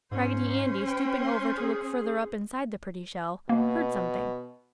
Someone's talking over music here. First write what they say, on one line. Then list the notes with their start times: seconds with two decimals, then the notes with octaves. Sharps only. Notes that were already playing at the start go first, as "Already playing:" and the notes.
Raggedy Andy, stooping over to look further up inside the pretty shell, heard something.
0.11 G#2 C#4 C5
0.88 G5
1.23 C6
1.57 G#4
3.49 B2 A#3